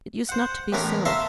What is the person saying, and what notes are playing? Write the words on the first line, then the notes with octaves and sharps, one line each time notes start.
It used not to be so.
C5 F#5
A1 A2 B3 C#4 A#4 A#5
E5 F5 A5 A#5 C6